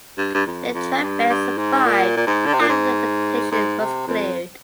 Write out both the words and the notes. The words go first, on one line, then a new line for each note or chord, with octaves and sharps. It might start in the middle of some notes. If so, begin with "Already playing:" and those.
The trackbed survived after the vegetation was cleared.
G2
G2
F2
F2
G2
G2
G#2
A#2
A#2
G#2
D3
C3
A#2
G#2
G#2
C3
F2